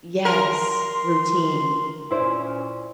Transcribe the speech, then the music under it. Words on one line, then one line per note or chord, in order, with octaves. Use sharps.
Yes. Routine.
A#4 C6
A#2 C#4 E4 C5 D5